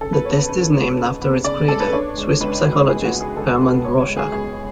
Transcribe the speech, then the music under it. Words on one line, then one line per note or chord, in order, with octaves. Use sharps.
The test is named after its creator, Swiss psychologist Hermann Rorschach.
C#3 A4
B4
B3 C#5
B4
C#3 B4
G#3
C#3
B3
C#3 D5
G#3 A4
B4
D4 C#5
G#3
C#2 B4
B2
D4 G#4
F#4
G#3
G#4
C#2 A4
B2 B4
B3 C#5
C#5
G#3
G#4
C#2 G#4